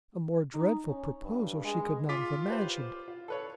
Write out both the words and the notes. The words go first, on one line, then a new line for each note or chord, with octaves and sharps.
A more dreadful proposal she could not have imagined.
D#4
C#4
G2
G#3
F4 D6 B6
G4 B4 C5
F4
A4 B4 C#5